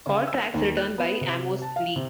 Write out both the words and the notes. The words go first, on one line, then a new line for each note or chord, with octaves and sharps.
All tracks written by Amos Lee.
C#3
E6
D#2
F#6
B3
C3
A5
F5
C3